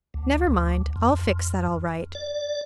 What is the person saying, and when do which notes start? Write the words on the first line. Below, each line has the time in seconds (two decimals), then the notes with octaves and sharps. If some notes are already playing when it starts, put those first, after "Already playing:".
Never mind, I'll fix that all right.
0.14 D2
0.47 D2
0.96 F2
2.15 D5